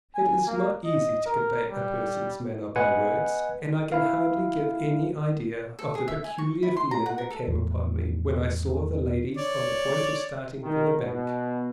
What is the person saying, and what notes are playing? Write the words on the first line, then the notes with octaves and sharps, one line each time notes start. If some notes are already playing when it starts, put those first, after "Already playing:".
It is not easy to convey a person's manner by words, and I can hardly give any idea of the peculiar feeling that came upon me when I saw the ladies on the point of starting for the bank.
G#5
A#3
D#5
A#4
G3
B4 D#5 F#5 G#5
E4 F5
A4
G#4
E5
G#5
C#6
E4
C6
A#5
F#5
A#4
A4
E2 A2 F3
C#5 D5
D#3
B2